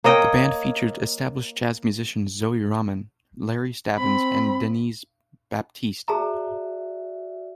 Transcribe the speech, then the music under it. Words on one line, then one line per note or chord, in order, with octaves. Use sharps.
The band features established jazz musicians Zoe Rahman, Larry Stabbins and Denys Baptiste.
A#3 C#5 D#5 G5
C4 B5
F#4 G#4 D5 E5 A5 A#5